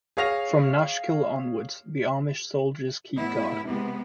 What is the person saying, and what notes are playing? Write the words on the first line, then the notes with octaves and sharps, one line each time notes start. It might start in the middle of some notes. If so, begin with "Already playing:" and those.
From Nashkel onwards, the Amnish soldiers keep guard.
G#4 C#5 F5 A#6 F7
A2 B3 E4
C3 G#3 B3